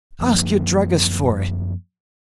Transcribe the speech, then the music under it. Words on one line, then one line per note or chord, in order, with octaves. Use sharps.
Ask your druggist for it.
F#2 F3 A#3